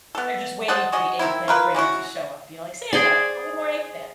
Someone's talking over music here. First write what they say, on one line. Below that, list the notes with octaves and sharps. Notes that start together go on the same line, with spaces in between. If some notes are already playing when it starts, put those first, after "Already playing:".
They're just waiting for the eggplant bringer to show up, you know, like Santa, but with more eggplant.
B3 A4
C5 D#5 F#5 A5
F#4 G#4 D#5
D#3 C4 E4
F4 A#4 B4
G#3 C#4 E4 F#4
G#4 C5 D5